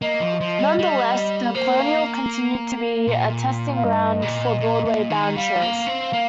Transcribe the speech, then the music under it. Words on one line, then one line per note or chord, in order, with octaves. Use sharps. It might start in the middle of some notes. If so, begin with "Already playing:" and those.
Nonetheless, the Colonial continued to be a testing ground for Broadway-bound shows.
A#3 D#5
F3
F3
G3
G3
A#3 C5
F5
A#2
F5
G2 D#5
A#2
A#2
A#2
D#3
G3 F5
A#3
C4
A#3